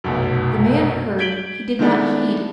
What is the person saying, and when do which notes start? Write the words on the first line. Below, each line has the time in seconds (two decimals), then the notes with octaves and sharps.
If the man heard, he did not heed.
0.04 F1 B1 F#2
1.18 G6 G#6 B6 D7 F#7 G7
1.79 D#3 E3 G#3 A3 B3 D4